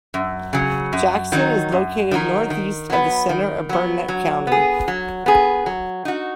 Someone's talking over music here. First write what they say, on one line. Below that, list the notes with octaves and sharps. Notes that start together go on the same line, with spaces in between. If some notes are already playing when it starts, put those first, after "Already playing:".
Jackson is located northeast of the center of Burnett County.
F#2
C#3 F#3
F#2
D#3 F#3 D#4
F#2
D#3 F#3 D#4
D#3
F#3 B3
D#3
F#3 B3
F#3
B3 G#4
F#3
B3 G#4
F#3
D#4 F#4